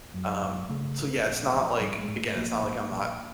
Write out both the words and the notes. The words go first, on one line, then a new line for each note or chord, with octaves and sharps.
um so, yeah, it's not like, again, it's not like I'm not
F#2
G#1
C#3 A3
G#1
A#1
A#1
G#2 G3
G#3
G#2
A3
A#1 A#3
G#2
A#1